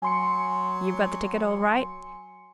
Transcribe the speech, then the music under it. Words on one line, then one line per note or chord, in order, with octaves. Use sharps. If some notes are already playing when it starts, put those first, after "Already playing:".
"You've got the ticket all right?"
F#3 G#5 C6 C#7